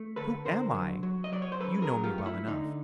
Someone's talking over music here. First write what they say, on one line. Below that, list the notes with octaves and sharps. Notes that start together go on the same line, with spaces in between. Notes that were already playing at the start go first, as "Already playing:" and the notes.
"Who am I? You know me well enough."
Already playing: A3
D3 A4 B4
D3 A#4 C5
F#3
F#3
D#5
F#3 D5
C#5
C5
F#2 A4 B4
G#4 A#4
F#3
F4 G4
A3
E4
D3 D#4